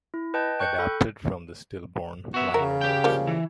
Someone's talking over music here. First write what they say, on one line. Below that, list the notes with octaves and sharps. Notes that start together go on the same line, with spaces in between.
Adapted from the "Stillborn" liner notes.
E4
B4 D#5 G5 A5 G6
G5 C#6 F#6 G6 C#7
A4 B5
B3 F#4 E5
C#3 A#4
G4 G5
F3 G3 A#3
E3